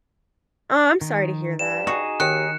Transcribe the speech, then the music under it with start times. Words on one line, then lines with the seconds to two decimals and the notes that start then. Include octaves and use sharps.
Oh, I'm sorry to hear that.
1.01 D#3
1.59 G2 E7
1.87 D#4 F#4 G#4
2.20 D#2 D#3 F#6 C#7